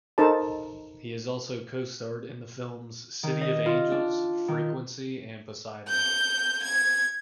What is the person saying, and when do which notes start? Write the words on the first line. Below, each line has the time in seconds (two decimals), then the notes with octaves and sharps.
He has also co-starred in the films "City of Angels", "Frequency" and "Poseidon".
0.18 D#4 A4 A#4 C5 A5
3.23 D#3
3.41 D#5
3.66 F4
3.92 D4
4.48 D#3
5.89 G6
6.64 G#6